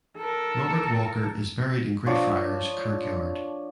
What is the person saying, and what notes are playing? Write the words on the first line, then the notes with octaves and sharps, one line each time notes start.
Robert Walker is buried in Greyfriars Kirkyard.
A4 A#4
F3 D4 C#5